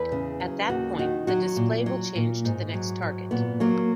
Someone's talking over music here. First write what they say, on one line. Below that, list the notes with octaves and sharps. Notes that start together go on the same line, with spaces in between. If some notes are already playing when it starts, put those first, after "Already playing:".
At that point the display will change to the next target.
Already playing: E2 B4
C#3
F#3
D#2 F#4
D#3 F#4
F#3 F#4
A#2
F#3
A#2
G#2
F#3
G#2
A#2 B3
F#3 A#3